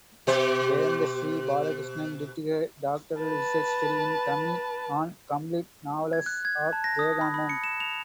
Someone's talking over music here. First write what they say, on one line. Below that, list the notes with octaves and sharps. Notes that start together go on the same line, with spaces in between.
Jayanthasri Balakrishnan did her doctoral research study in Tamil on complete novellas of Jayakanthan.
B2 G4 C5
B4 A5
G#6
F#6
G#6
A5
A#6
D#6
B5
B5
C#7
E7
F7